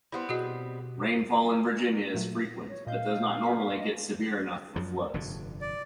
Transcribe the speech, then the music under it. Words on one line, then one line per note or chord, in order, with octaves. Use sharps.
Rainfall in Virginia is frequent, but does not normally get severe enough for floods.
G3 B3 C4 E4
B2 F#4 G#4 D#5
A#2 F#3 A3
A#6
C#5
A#2 D#5 F5 G6
C6 C#6 B6
D#5
F#2 F3
F1 G2 D3
D5